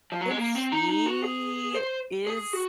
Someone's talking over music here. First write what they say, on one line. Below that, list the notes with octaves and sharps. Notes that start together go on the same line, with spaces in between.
and she is
F3
F#3
G#3
A#3
C4
D#4
D#4
F#4
G#4
C5
G#4
F#4